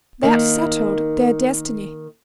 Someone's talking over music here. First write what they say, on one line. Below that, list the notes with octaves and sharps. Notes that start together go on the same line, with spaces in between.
That settled their destiny.
D#3 A#3